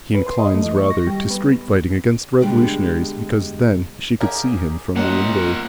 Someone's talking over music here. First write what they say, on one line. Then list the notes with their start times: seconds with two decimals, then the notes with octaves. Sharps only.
He inclines rather to street fighting against revolutionaries--because then she could see him from the window.
0.15 B4
0.27 C6
0.39 D#5
0.54 A3
0.65 E3
0.77 C#6
0.90 A#6
1.07 G3
1.30 B3
2.41 B2 D3 G3 G#3
4.20 G4 G#4 A#4
4.96 A#2 F#3 A#3 A#4 D#5 F#5